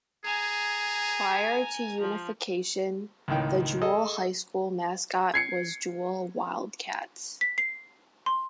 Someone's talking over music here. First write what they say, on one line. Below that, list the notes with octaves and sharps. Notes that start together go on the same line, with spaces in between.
Prior to unification, the Jewell High School mascot was Jewell Wildcats.
G#4 G#5 A#5
F3
C#2 A2 D#3 G5
G#4 A4 D#5
G#6 C7 C#7
B6
C7
C6